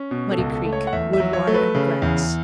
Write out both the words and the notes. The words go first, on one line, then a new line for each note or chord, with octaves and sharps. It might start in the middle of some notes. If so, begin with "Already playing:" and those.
Muddy Creek.--Wood, water, and grass.
Already playing: C#4
B2
A4
C#2
A4
A3
C#5
F#5
E2 E5
E5
F#3
C#5
A3
B4
C#3
E2